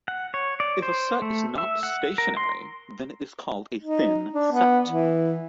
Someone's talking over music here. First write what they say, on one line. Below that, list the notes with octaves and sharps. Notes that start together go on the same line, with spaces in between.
If a set is not stationary, then it is called a thin set.
F#5
C#5
D5
C5
A3
E5
F#5
A#4
C6
D#4
D4
B3
E3